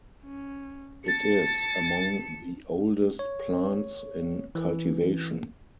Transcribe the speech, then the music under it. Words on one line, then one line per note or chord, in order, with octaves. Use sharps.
It is among the oldest plants in cultivation.
C#4
A5 A6 C#7
C#5
E3